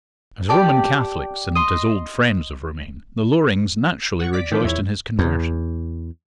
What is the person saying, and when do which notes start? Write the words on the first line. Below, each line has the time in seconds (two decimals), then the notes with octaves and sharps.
As Roman Catholics, and as old friends of Romayne, the Lorings naturally rejoiced in his conversion.
0.49 G4 D5 A5
1.55 D#5 C6
4.20 F#5 C#6
4.33 D5 D6 B6
4.52 D#3 F3
4.64 E2 E4 C#5 G#6
5.19 E2